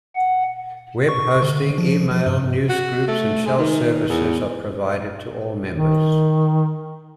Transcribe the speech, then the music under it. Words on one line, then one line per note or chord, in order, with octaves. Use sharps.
Web hosting, email, newsgroups, and shell services are provided to all members.
F#5
C#6
D3
F3
F3
G2
F#4
A3
G#3
D#3
E2
D#3